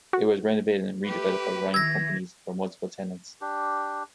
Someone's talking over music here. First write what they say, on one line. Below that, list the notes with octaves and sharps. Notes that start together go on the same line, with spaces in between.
It was renovated and redeveloped by Ryan Companies for multiple tenants.
F#4
A3 G4 B4
D#3 E3 E6 G#6 A#6
D4 G4